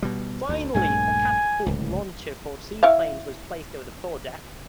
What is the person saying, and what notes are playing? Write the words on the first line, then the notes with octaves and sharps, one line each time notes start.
Finally, a catapult launcher for seaplanes was placed over the fore deck.
B2 G3
D2
A#1 G2 A3 G#5
D1 C#2
E4 C#5 F5